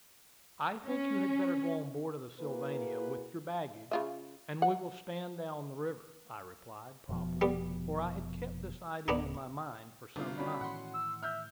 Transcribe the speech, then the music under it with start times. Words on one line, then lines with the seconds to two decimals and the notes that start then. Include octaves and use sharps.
"I think you had better go on board of the Sylvania, with your baggage, and we will stand down the river," I replied, promptly, for I had kept this idea in my mind for some time.
0.85 C#4
2.40 A#3 E4 F#4 G#4 B4
3.91 C#3 F4 E5
4.62 F#5
7.09 F1 B2 F3
7.41 G3 B3
9.08 D1 B3 D4 D#4
10.16 G1 D3 D4 F4
10.38 C#4 F#4 D5 B5
10.61 A2 D#3 E3 F#5 C6
10.94 E6
11.23 E5 F6 G6